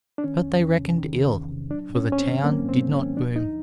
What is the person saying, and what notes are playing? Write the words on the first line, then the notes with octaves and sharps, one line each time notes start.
But they reckoned ill, for the town did not boom.
D4
D#3 C#4
E2
E2
C3
D#3
E2
E2
C3
F#3 D4
G#2
C#4
G#2 C#4
C4
D#3
F#3 A#3
G#2
C4
G#2
C#4
D#3
F3 D4
D2 D#4